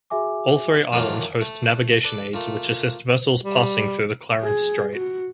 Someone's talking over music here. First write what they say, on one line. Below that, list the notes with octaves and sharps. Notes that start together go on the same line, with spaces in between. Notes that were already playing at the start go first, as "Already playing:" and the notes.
All three islands host navigation aids which assist vessels passing through the Clarence Strait.
F#4 G#4 E5 G#5 D6
F#2 D#3 E3 A3 D4 F4
A3
A4 B4 D5
A#2 A3
G3
G#4
F#4